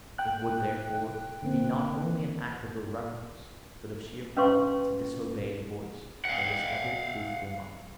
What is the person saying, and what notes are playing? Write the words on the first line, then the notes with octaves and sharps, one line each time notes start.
It would, therefore, be not only an act of irreverence, but of sheer folly, to disobey the voice of this ever-truthful Mother.
G5 F#6
D3 A#3 C4
C#4 B4 F5 C6 C#6
F5 F#5